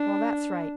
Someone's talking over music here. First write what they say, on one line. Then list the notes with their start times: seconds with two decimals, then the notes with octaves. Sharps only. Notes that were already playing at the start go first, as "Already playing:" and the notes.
Well, that's right.
Already playing: D4